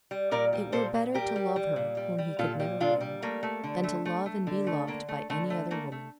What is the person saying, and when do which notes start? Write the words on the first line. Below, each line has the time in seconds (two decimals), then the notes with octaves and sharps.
It were better to love her, whom he could never win, than to love and be loved by any other woman.
0.11 G3
0.31 A#2 A#4 D5
0.53 G3
0.72 A#2 A4 C5
0.94 A#2
1.14 G3 G4 A#4
1.36 G3
1.56 G3
1.76 A#2
1.97 G3
2.18 G3
2.39 A#2 F4 A4
2.60 G3
2.80 A#2 D4 F4
3.01 G3
3.22 A3 A#3
3.43 A3
3.64 D3
3.84 A3
4.05 A3
4.26 A3
4.47 D3
4.67 A3
4.87 D3 A#3
5.09 A3
5.30 D3 A3
5.50 A3
5.71 A3 A#3
5.92 A3